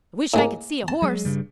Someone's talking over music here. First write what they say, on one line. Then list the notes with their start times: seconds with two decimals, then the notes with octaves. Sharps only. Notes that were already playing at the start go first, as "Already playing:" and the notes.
"I wish I could see a horse."
0.34 A2 G#3 A#3
0.88 A5
1.02 F#3 G#3
1.25 G2 C#3 G3